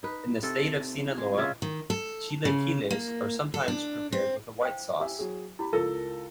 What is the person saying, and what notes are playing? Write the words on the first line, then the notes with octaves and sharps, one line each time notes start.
In the state of Sinaloa, chilaquiles are sometimes prepared with a white sauce.
D#4 B4
C3 A4
G#3
C#3 C#4 F4 E5
D#3
A4
C#3
A#3
A4
D4
C4
C5 F5 G5
G4 E5 G#5
F#3 G#4
E4 G4 B5
C#2 F4 A4 A#4 A#6